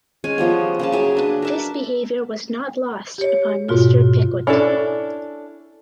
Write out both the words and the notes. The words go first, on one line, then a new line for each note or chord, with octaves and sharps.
This behaviour was not lost upon Mister Pickwick.
G#3 C#4 G#5
C#3 F3 G3 B3
C#3 A#3 A5
F#3 G#4 E5
D4 B4
A#4 E5 A5
G4 C#5
G#2 B2 F4 F#4
C#4 D4 E4 A4